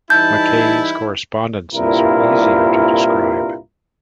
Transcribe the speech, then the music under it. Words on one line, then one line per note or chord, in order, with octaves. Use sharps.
McKay's correspondences are easier to describe.
E3 G3 D#4 E4 A5 G6
C2 G2 A#2 E4 F4 A#4